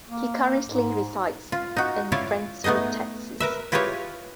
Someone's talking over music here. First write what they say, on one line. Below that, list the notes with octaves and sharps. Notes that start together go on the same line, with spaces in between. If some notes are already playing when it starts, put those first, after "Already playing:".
He currently resides in Friendswood, Texas.
A#3
G#2
F4
D#4 F#4
E4 F4 C#5 D5 F5
A3 B3 D#4 G#4 D#5
A#4 B4 E5
E4 F4 G4 G#4 B4 C#5